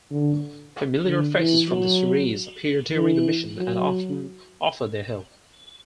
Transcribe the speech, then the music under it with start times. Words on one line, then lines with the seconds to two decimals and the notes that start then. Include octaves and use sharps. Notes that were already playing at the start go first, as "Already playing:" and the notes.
Familiar faces from the series appear during the mission and often offer their help.
0.11 D3
1.05 D3
1.37 E3
1.69 F#3
2.95 E3
3.58 F#3